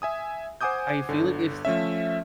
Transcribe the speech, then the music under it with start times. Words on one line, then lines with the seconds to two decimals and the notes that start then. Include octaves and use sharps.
I feel like if s
0.02 E5 G#5 D#6
0.61 C5 F#5 G#5 D6 D#6 G6
1.09 G1 D3
1.65 F3 A3 C#4 E5